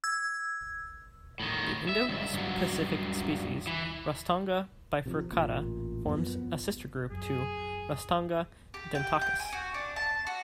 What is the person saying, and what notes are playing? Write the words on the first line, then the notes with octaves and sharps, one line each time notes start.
The Indo-Pacific species "Rostanga bifurcata" forms a sister group to "Rostanga dentacus".
E6 G#6
A2 D#3
E5
C#2 G2
G2 F#3
E3
C3 E3 F3
A1 A#2
F#2 F3 B3
F#2 G#4
G4
G5
G5
G#5
F#4
D4
A5
F#4